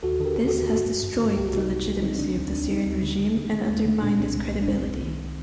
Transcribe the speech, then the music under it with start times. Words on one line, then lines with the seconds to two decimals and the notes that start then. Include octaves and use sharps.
This has destroyed the legitimacy of the Syrian regime and undermined its credibility.
0.03 D#2 F#4 A4
0.20 D3 A4
0.25 G4 A#4
0.37 D#2
0.47 F#4 A4
0.54 D#2
0.69 G2 F#4 A4
0.86 G2
1.03 G2
1.19 D3
1.35 C2 G4
1.46 F#4
1.53 C3 D#4 G4
1.69 C2
1.87 C2
2.02 D3 C4 D#4
2.19 D3 D4
2.36 D2 C4
2.52 D2 D4
2.69 D3 C4 D#4
2.86 D2
3.03 D3
3.19 D3
3.36 D3
3.53 D3
3.69 D#2
3.85 D3
4.02 A#2 D4
4.10 C4
4.19 C2 D4
4.35 C2
4.52 C2
4.62 D4
4.68 C2 C4
4.85 C2
5.02 D#3